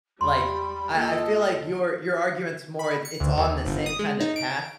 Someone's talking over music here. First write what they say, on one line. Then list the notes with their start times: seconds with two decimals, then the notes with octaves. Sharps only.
Like, I I feel like your your argument's more it it's on the same kinda path,
0.21 E2 G3 B5 C6
0.96 A#3 F4 A4 D#5
2.79 B5
3.05 C#7
3.20 D2
3.38 D#2
3.66 G1
3.86 D#6
3.99 G#3
4.20 D#4
4.36 D7